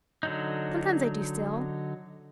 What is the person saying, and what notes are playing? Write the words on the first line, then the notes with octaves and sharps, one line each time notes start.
"Sometimes I do still."
D3 F#3 D#4